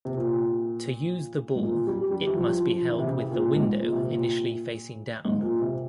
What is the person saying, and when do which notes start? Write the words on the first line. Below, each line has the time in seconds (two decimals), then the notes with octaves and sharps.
To use the ball, it must be held with the window initially facing down.
0.05 C3
0.17 A#2
1.56 G#2
1.63 A#2
1.87 G3
2.11 G3
2.27 E3
2.35 F3
2.53 F3
2.71 F3
2.89 E3
2.98 C3
3.07 C#3
3.31 A#2
3.56 G#2
3.80 A#2
3.92 C3
4.04 A#2
5.25 G#2
5.42 A#2
5.61 C3